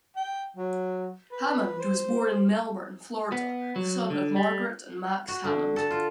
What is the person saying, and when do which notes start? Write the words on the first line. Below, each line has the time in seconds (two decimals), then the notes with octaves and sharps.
Hammond was born in Melbourne, Florida, the son of Margaret and Max Hammond.
0.16 G5
0.57 F#3
1.32 B4
1.80 C5
3.32 B3
3.76 F#3
4.10 D3
4.36 G3
5.28 F#4
5.44 D3
5.76 A4
5.91 F4